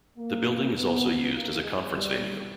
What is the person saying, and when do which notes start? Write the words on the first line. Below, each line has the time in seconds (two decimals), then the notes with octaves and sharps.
The building is also used as a conference venue.
0.18 A#3
0.76 B3
1.35 A#3
1.63 G#3
1.93 G3